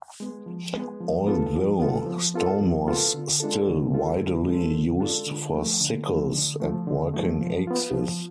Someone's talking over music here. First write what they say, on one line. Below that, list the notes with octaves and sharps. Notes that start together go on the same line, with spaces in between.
Although stone was still widely used for sickles and working axes.
G#3 B3
F3
G#3 B3
F3
B3 F4 A4
F3
B3 F4 A4
F3
B3 F4 A4
F3
B3 F4 A4
D3
G#3 D4 F4 A4
D3
G#3 D4 F4 A4
D3
G#3 D4 F4 A4
D3
G#3 D4 F4 A4
D3
F3 A3
D3
F3 A3
D3
F3 A3
D3
F3 A3
F3
B3 F4
F3